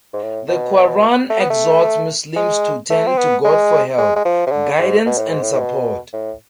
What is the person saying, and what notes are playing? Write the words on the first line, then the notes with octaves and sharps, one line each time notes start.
The Qur'an exhorts Muslims to turn to God for help, guidance and support.
G#2
A2
B2
A3
B3
A3
G#3
A3
C4
B3
G#3
G#3
G#3
F3
C3
D3
G#2
B2
A2
G#2
A2
A2
B2
A2